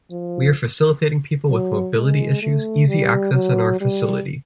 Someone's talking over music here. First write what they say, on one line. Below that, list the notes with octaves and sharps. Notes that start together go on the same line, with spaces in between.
We are facilitating people with mobility issues easy access in our facility.
F3
F#3
G#3
A3
G3
F#3
G3